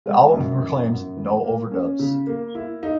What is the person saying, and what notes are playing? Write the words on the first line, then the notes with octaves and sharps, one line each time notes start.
The album proclaims: No overdubs.
G#3
F#2
E3
F#2
E3
A#3
C#4
C#3
A#3
E4
D#4